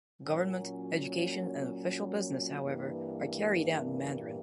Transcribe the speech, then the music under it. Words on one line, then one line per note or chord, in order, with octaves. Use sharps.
Government, education, and official business, however, are carried out in Mandarin.
A#2 F#3 C#4
G2 E3 A#3